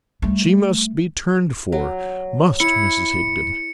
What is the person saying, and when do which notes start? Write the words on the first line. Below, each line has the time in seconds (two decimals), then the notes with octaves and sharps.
And she must be turned for, must Mrs Higden.
0.22 G3 A3
1.72 F#3
2.60 E4 C#7